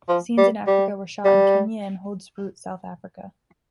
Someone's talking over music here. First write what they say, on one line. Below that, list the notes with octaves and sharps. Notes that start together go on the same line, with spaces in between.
Scenes in Africa were shot in Kenya and Hoedspruit, South Africa.
F3
G3
G3
G3